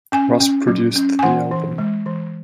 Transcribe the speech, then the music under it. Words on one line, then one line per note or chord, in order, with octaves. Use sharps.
Ross produced the album.
C#4 G#5
C#4
F#3
C#4
G#5
E3 F#5
E3
G#3
E3